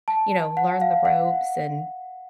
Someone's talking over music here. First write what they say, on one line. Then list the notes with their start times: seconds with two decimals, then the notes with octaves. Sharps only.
you know, learn the ropes and
0.08 A5
0.57 F#5
0.81 F5
1.05 F#5